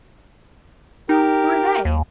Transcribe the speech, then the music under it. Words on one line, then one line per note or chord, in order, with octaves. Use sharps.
"Who are they?"
D#4 G4 A#4
D#2